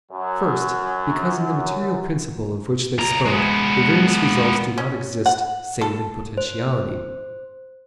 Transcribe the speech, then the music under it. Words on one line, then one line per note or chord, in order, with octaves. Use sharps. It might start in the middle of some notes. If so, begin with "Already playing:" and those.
First, because in the material principle of which they spoke, the various results do not exist save in potentiality.
F#2 F#3
C#2 A#5
G#3 B3
C#4
F#5
A4
C5